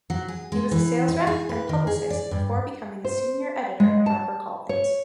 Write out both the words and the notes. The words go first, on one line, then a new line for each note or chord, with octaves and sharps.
He was a sales rep and publicist before becoming a Senior editor at HarperCollins.
F#3
G#4
G#3
E3
D#4
G#4
B4
D#3
G#4
D5
G2
C5
G#3
A5
C#5